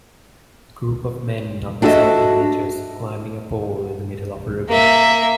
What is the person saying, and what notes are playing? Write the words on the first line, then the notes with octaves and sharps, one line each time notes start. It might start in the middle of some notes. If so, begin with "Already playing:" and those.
A group of men of assorting ages, climbing a pole in the middle of a river.
D4 F#4 A4 D#5 E5
A#3 E5